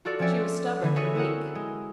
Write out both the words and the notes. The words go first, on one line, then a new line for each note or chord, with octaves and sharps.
She was stubborn and weak.
F4 F#4 A4 D5
F3 C4 C#4 C#5 D5 E5
D3 E3 B3 G#6
F#4 G#4 A4 B4 C#5 E5
C4 E4 G#4 A#4 F#5
G#3